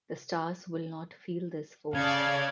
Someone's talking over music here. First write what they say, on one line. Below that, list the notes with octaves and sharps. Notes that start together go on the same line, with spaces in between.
The stars will not feel this force.
C#3 A4 D5 F5 G#6